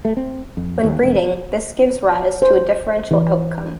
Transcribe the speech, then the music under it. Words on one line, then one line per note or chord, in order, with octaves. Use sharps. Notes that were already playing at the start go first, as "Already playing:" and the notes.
When breeding this gives rise to a differential outcome.
A3
C4
F2
D#2
E1
C5
E3